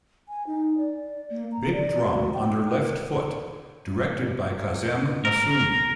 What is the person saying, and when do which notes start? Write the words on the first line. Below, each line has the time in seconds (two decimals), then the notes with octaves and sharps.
"Big Drum Under Left Foot" directed by Kazem Masoumi.
0.28 G#5
0.47 D#4
0.78 D5
1.30 A#3
1.52 A#5
1.72 D5
2.14 F#4
2.34 G5
2.70 A#4
5.25 A#4